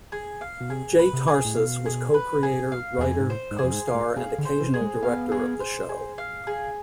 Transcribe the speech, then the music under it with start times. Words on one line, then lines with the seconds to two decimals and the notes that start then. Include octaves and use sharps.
Jay Tarses was co-creator, writer, co-star and occasional director of the show.
0.12 G#4
0.41 F5
0.61 B2
0.70 C3 G#4
0.99 B4
1.13 C3
1.28 G#4
1.45 A2
1.56 B2 F5
1.85 G#4
2.14 B4
2.43 G#4
2.72 F5
2.98 E2 G#4
3.08 F2
3.19 G#2
3.29 A2 C5
3.51 G#2
3.58 G#4
3.64 F2
3.73 G#2
3.87 F5
3.94 A2
4.16 B2 G#4
4.38 D3
4.45 C5
4.60 E3
4.74 G#4
4.81 G#3
5.02 B3 F5
5.32 G#4
5.60 C5
5.89 G#4
6.18 F5
6.47 G#4